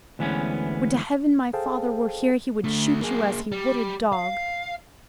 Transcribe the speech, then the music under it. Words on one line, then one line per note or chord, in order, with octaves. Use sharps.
Would to heaven my father were here, he would shoot you as he would a dog!
D2 E3 G#3 B3 C#4
G#4 A4 C5 F5 G5 A5
D3 A3
A#3 G#4
G3
F5